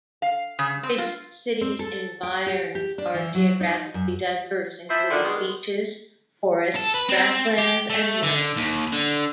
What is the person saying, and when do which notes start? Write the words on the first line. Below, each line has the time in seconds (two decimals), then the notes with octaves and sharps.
Ridge City's environs are geographically diverse, including beaches, forests, grasslands and mountains.
0.22 F5
0.59 C#3
0.83 C4
0.98 F4
1.61 C4
1.79 A4
2.23 G5
2.46 G4
2.75 G4
2.98 D4
3.14 E3
3.35 F#3
3.61 D#4
3.94 F#2
4.89 F3 E4 C5
5.10 D3 D#3
5.24 D#3 G3 G#3 B3
6.76 A4
6.95 B4
7.09 C4
7.58 G4
7.90 A3
8.23 D3
8.56 D#2
8.93 D3